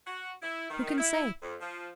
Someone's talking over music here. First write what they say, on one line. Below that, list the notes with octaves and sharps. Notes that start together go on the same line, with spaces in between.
Who can say?
F#4
E4
D#3
E4
F2
F3